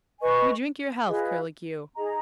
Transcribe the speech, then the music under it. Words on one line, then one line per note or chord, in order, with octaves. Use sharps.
'We drink your health, Curlicue.
B4 D#5 G#5 C#6
F4 G#4 B4 D#5
D#4 G#4 D#5 A#5